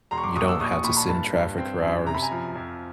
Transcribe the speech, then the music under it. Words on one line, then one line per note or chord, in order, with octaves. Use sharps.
you don't have to sit in traffic for hours.
E1 A#5 C6
C#6
C6 D6
D#2 C#6 D#6
D6 E6
A#1 C#6 D#6
C#6 D#6
A#2 B5 C#6
A5 B5
G2 A5 B5
G2
C4
F#2
C3 A#5
B5
G#5 A#5
F3
F2